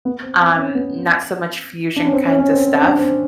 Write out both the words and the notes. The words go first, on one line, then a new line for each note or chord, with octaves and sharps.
um, not so much fusion kinds of stuff,
B3
C4
C4
C4
C#4
B3
D4
C#4
C4
C#4
C#4
C4
C4
D4
C4